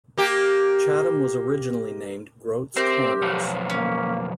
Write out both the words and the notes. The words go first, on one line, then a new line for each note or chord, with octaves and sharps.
Chatham was originally named Groats Corners.
A#3 G4
C4 G4 A#4 E5 C6
B1 F2
A#3 C#4